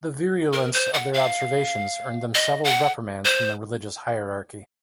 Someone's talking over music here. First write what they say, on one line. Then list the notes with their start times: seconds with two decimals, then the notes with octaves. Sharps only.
The virulence of their observations earned them several reprimands from the religious hierarchy.
0.53 A#4
0.73 C5
0.94 F#5
1.14 F5
2.35 D#5
2.64 F#5
3.25 C5